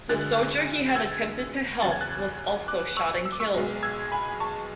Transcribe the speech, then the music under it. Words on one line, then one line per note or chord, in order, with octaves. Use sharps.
The soldier he had attempted to help was also shot and killed.
D2 D3 G#3 F#6 A6
A6
E6 G#6
E2 C#3 F#3 A6
G#6
F#6 A6
D6 F#6
C#6 E6
E6
D6
C#6 E6
B1 B2 G#3
E6 G#6
G#5 B5
A5 C#6